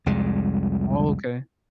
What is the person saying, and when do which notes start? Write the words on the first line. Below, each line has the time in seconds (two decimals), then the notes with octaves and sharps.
Oh, okay.
0.06 C2 F2 G3 G#3